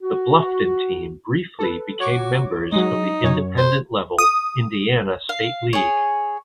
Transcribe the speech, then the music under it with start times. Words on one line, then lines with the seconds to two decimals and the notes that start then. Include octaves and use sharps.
The Bluffton team briefly became members of the Independent level Indiana State League.
0.02 F#4
1.59 A4 B4
2.00 F#4 C#5 C#6 D6
2.72 F#3 G#3 D#4
3.23 F#2 C#5
3.58 C5
4.18 D#6
5.29 F5
5.73 G#4 C#5